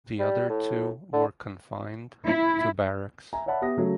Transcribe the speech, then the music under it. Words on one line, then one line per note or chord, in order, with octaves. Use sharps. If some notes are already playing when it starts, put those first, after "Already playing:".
The other two were confined to barracks.
G3
A2
D3
E4
E5 G#5 A#5
C#5 D5 E5 F#5 A5 B5
B3 G4 E5 D#6 A#6
C#3 F#3 A3